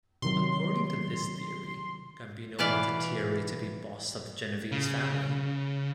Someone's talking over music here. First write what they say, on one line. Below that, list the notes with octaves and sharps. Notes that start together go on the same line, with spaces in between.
According to this theory, Gambino wanted Tieri to be boss of the Genovese family.
C3 D#3 F#3 C6
B2 E3 B4 D5 F5
C#3